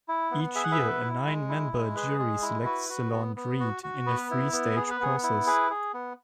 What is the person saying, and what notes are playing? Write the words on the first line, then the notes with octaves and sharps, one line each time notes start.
Each year, a nine-member jury selects the laureate in a three-stage process.
E4
B3
G#4 E5
F#5
B4 E5
B3
E4
G#3
E4
G#3
G#4 B4
G#3
E4
F#4 B4
F#4
B3
B3
F#4
F#4
B3 B4
E4
B3
G#4
B4
B3 G#4
E4
G#4 B4
G#4
B3